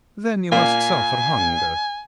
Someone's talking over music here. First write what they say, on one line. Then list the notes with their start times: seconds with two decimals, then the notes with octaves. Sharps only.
"Then you must suffer hunger."
0.52 A#2 A#3 G#5